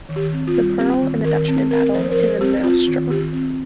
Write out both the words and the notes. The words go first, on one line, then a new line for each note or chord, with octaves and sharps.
The "Pearl" and the "Dutchman" battle in the maelstrom.
D#3
G4
C4
F4
G3
C4 G4
D#3
D#3 A#4
C4
C4 A#4
F3 C5
A#4
F3 C5
C4 G4
C4 F4
D#3
D#3 G4
C4